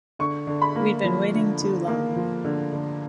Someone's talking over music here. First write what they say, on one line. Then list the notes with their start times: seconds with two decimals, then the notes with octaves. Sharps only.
We'd been waiting too long.
0.19 D3 C#6
0.47 D3
0.62 B5
0.76 A#3
1.04 F3
1.33 D3
1.61 D3
1.88 A#3
2.16 F3
2.45 D3
2.73 D3